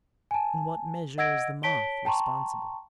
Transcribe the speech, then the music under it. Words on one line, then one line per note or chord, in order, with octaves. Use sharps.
In what measure is the moth responsible?
G#5 A5
D#5 F#5 E6 G#6 A#6 D7
C#5 A5 B6 D7 G7
G5 A5 A#5 C6 C#6